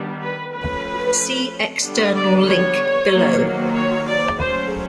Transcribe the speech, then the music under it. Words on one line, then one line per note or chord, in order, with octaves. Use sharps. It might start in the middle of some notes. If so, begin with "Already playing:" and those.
See external link below.
Already playing: D#3 G3 B3 D4
B4
F3 A3 C#4 B4
D3 G3 B3 D4
D5
C#5
D#3 F#3 A#3
C#5
D5
F#3 A3 C#4 C5